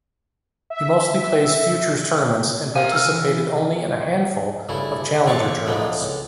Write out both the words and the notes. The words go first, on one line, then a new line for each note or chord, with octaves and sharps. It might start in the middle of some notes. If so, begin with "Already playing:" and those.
He mostly plays Futures tournaments and participated only in a handful of Challenger tournaments.
E5
A#4 F5 G#5
E6 F6
E3
G2 C#3 A3 E4
A1 C4 D5 F5 C#6 D6
D2 A2 F3 G#3 A#3 C4
C#2